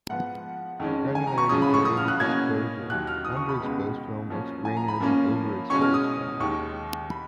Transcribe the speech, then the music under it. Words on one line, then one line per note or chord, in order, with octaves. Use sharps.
Granularity varies with exposure - underexposed film looks grainier than overexposed film.
G#2 F3 B3 F#5
F2 D#3 G#3 C#4
G#5
A#5
C#6
F#2 C#3 F3 G#3 C#4 D#6
B5
C#6
D#6
F6
F#6
B2 A#3 C#4 G#6
D#2 D#3 F#3 F#6
F6
D#6
C#6
B5
C#2 B2 G#3 B3 B5
F#2 F3 A#3 C#4
G#5
A#5
B5
F#2 F3 A#3 C#4
B2 G#3 C#4 C#6
F6
D#6
D#2 D#3 G#3 C#6
B5